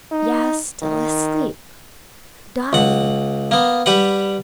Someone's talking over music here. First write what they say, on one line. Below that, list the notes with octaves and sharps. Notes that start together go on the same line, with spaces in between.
"Yes; still asleep--dying."
D#4
D#3
C#2 F#5
A#3 B3
G3 G4 B4 F#5